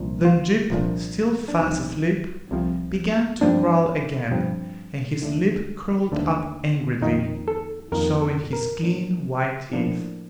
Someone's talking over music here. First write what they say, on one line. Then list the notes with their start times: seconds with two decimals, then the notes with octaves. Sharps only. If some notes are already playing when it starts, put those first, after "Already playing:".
Then Jip, still fast asleep, began to growl again and his lip curled up angrily, showing his clean, white teeth.
Already playing: C2 A#2 F3 A#3 D4
0.25 F4
0.70 C2 A#2 F3 A#3 D4
1.48 D4
1.60 C2 C3 F3 C4 D#4
2.51 C2 C3 F3 C4
3.41 G2 F3 C4 D4
4.31 G2 F3 C4
5.22 D#2 D3 A3 D4
6.12 D#2 D3 A3 D4
7.02 F2 D#3 A#3 D#4
7.48 A4
7.92 F2 D#3 A#3 A#4
8.22 A4
8.53 A#4
8.83 A2 F3 A#3 D4
9.73 A2 F3 A#3 D4